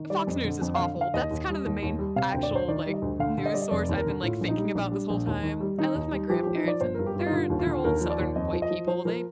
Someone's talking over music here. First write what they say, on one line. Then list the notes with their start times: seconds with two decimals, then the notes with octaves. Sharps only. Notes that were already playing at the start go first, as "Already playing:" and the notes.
Fox News is awful, that's kind of the main actual, like, news source I've been like thinking about this whole time. I live with my grandparents and they're they're old southern white people, they
Already playing: D#3
0.10 G3 D5
0.27 F2
0.44 D3
0.61 F2
0.75 D3 F5
0.96 D3 F5
1.14 D#2 D#5
1.31 D#2
1.48 G3
1.65 D#2
1.82 D#2
1.99 G3
2.16 C3 F5
2.30 D2 G5
2.43 D5
2.51 D2 C5
2.68 D#3 D5
2.86 G3
2.94 D#5
3.02 D2
3.19 D3 F5
3.38 D3
3.46 D#5
3.54 G3 D5
3.62 D#5
3.71 F1 D5
3.89 D#2
3.97 A#4
4.06 D3
4.23 A2 F4
4.41 A#1
4.48 D#4
4.57 G3
4.75 A#1 D4
4.92 G3
5.10 A#1
5.27 D#2
5.43 D#3
5.60 G3
5.78 D#3 D#4
5.95 D#2
6.12 G3
6.29 F3 G4
6.43 F3 G4
6.55 D#4
6.64 F3 D5
6.81 G1 C5
6.94 G2 A#4
7.06 G4
7.15 G2 F4
7.26 D#4
7.32 D3 F4
7.50 D#2
7.59 F4
7.67 D3
7.84 D#2 A#4
8.01 F3
8.10 D5
8.19 D#2
8.36 F2 D#5
8.53 F3
8.62 D#5
8.71 F3
8.87 F3 C5
9.05 F3 A#4